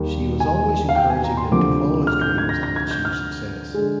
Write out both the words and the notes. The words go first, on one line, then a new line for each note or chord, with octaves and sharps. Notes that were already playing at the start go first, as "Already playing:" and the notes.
She was always encouraging him to follow his dreams and achieve success.
Already playing: D#2 D#3 G3 A#3
G#5
F5
G5
G#5
A#5
C6
D2 C3 F3 A#3 D6
F6
G6
G#6
A#6
A#6
G#6
G6
F6
D3 G#3